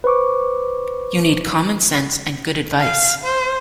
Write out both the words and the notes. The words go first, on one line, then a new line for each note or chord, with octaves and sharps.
You need common sense and good advice.
B4 C5 C#6 D6
F5
C5